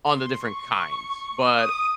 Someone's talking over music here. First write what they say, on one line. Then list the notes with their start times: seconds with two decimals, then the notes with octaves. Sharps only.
on the different kinds, but
0.13 C6
0.42 C#6
1.55 D#6